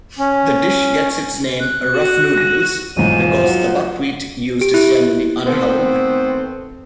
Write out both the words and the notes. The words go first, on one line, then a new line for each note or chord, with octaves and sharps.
The dish gets its name "rough noodles" because the buckwheat used is generally unhulled.
C#4
F#6
F#4
A#6 D#7
B1 E2 G#2 F3 D#7
F#3 F#5
G4 D7
E4 F#6
D#3 A3 B3 C4